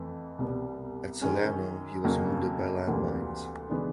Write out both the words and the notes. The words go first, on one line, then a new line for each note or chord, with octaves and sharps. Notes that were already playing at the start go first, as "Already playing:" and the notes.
At Salerno he was wounded by landmines.
Already playing: F2 E3 A3
C2 B2 G3 B3
F#2 D#3 G#3 C#4
F2 C#3 F#3 A#3 C#4
D2 C3 E3 G3 A#3
C#3 E3 G#3 B3 D4